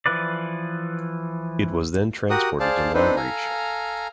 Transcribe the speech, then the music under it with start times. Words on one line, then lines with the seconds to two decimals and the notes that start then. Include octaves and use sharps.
It was then transported to Longreach.
0.06 E3 F3 B4 D5
2.30 F#4 G4 A#4 F#5 D#6
2.60 G#4 C5 D5 F5 A5
2.94 C4 D4 D#4 A4 B4 C5
3.16 A4 F5 G#5 A#5